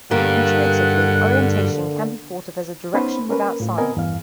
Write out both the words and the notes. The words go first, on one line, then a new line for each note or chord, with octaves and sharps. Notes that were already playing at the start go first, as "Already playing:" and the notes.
Intuitively, orientation can be thought of as a direction without sign.
G2 D3 A#3 G4 F#5
B3 C#4 D#4 B4 C5 B5
A#3 C#4 A#4 B4
A2 F4
B3 C4 A#4 D#5 G#5
E2 G2 F5